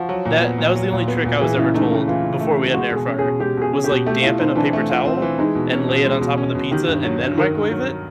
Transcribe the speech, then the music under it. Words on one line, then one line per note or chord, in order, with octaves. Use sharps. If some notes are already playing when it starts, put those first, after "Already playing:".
That that was the only trick I was ever told before we had an air fryer, was, like, dampen a paper towel, and lay it on top of the pizza, and then microwave it,
Already playing: F3 F#4
F#3
A#2
B3
A#2
F#3
A#2
B3
A#2
E3 G#4
C#3 E4
A3 D#4
C#3 E4
E3 F4
C#3
A3
C#3
G#3 F#4
B2 G#4
C#4
B2 G#4
G#3 G4
B2 G#4
C#4
G4
B2
A3 G4
E4 F4
C4 D#4
E3 D4
A3
F4
C4
E3
G#3 D#4
B2
C#4
B2
G#3
B2
C#4
B2
D#3 G4
G2
F#3
G2
D#3 A#4
G2
F#3